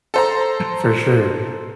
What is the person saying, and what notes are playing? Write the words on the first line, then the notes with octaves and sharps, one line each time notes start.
For sure,
A4 C5 A#5